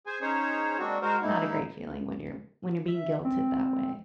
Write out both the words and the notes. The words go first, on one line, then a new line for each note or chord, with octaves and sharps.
not a great feeling when you're when you're being guilted that way.
G#4 C5 G#5
C#4 D#4 G#4 C5 C#5
G#3 A#3 C4 D4 F#4
G#3 F#4 A#4 C5
G#3 A#3 D#4 E4
E5
C4